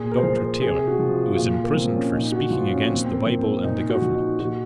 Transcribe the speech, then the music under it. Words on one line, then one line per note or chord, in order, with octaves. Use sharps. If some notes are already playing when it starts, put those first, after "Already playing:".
Dr. Taylor, who was imprisoned for speaking against the bible and the government.
Already playing: A#2 G#4
A#4
C5
F3 A#4
C5
C3 G#4
F#4
F3
F4
A#2 F4
A#3
F3 C4
C#4
A#2 D#4
F#4
F3 F4
C#4
A#2 C4
C4
A#3
F3
C4
A#2 D#4
F#4
F3
D#4
A#2 F#4